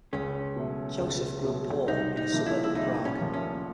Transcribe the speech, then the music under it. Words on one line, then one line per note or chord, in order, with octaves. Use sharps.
Josef grew up poor in a suburb of Prague.
C#2 C#4
B2 F#3 A3
C#2
B2 F#3 A3
C2 D#4
D#4
A#2 F3 A3
E4
E4
C2 D#4
C#4
A#2 F3 A3
C#4